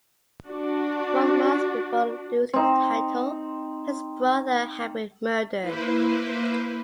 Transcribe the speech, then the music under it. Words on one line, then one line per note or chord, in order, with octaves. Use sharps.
One month before losing the title, his brother had been murdered.
D4 F#4
C4 D#4
A#3 E4 B4 C5